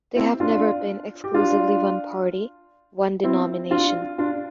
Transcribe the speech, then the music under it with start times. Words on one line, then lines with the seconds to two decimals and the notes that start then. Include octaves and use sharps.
They have never been exclusively one party, one denomination.
0.16 C4 E4
0.40 D4 F4
1.24 G4
1.34 D4 F4
3.23 C4 E4
3.71 D4 F4
4.18 D4 F4